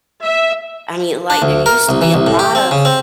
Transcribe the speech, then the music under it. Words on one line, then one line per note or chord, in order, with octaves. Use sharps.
I mean, like, there used to be a lot of
E5
D4
D2
A#4
C2
E3
C2
A2
G4
C4
C#3
C4